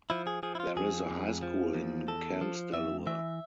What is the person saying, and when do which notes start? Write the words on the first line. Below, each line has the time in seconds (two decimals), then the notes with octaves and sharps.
There is a high school in Kambsdalur.
0.10 F3 E4
0.27 G#4
0.43 F3 G#4
0.55 E4
0.60 F4
0.77 F2 G#4
1.10 F2
1.43 F3
1.74 E2
2.08 E2 A4
2.41 F3
2.74 F2 E5
3.07 E3 E5